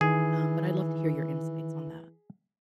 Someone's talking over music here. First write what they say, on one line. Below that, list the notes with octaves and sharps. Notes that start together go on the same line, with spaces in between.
um, but I'd love to hear your insights on that.
D#3 E3 G#4